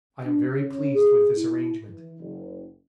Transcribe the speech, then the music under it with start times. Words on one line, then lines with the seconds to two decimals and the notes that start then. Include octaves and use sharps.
I am very pleased with this arrangement.
0.24 D4
0.53 C#4
0.94 G#4
1.37 E4
1.89 E3
2.20 F#1